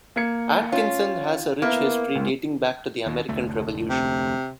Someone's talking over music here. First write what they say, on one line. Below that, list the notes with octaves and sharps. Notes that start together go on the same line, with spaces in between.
Atkinson has a rich history, dating back to the American Revolution.
A#3 G#6 C#7
C#4 F4
A#3 B3 E4 A#4
C#2 G#2
D#2
F1 D2 A3
C3